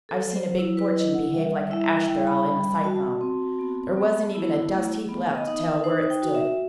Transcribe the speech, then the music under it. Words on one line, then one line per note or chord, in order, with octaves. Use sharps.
I've seen a big fortune behave like an ash-barrel in a cyclone--there wasn't even a dust-heap left to tell where it stood!
A4
F#3
C5
E4
B4
E4 D#5
F#5
G3 E5
E4 E5
G3 G5
B5
G3 B5
B5
F#4 A5
C4
B3
B3
E4
A3
B3
D#5
D#4
E5
D#4 C5
G5
F#4
E5